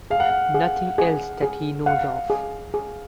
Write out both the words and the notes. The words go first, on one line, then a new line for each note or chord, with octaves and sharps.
Nothing else that he knows of.
G#4 F5
F#5
F5
G#4
G#4
G#4
F5 F#5
G#4
G#4